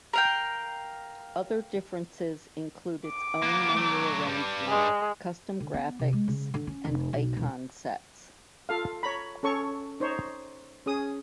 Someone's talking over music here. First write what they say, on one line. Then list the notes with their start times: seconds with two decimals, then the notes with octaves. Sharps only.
Other differences include its own menu arrangement, custom graphics, and icon sets.
0.13 A#4 F5 G5
3.07 D6
3.43 A#3 B3
3.77 F#3 A3
4.27 G2 G3
4.68 G#3
5.60 D3
5.74 B3
5.99 C3
6.13 G#3
6.28 C#3
6.54 D3
6.67 C#4
6.85 F1
7.13 B1
7.37 E1
8.69 F4 A4 F5
9.03 C#5 A#5 B5
9.43 C#4 A4 C#5 C#6
10.00 D#4 C5 C#5
10.86 C#4 G#4 D#6